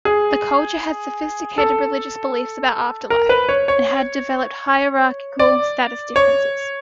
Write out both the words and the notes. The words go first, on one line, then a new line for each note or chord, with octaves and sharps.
The culture had sophisticated religious beliefs about afterlife and had developed hierarchical status differences.
G#4
A4
A#4
B4
C#5
C#5
D5
C#5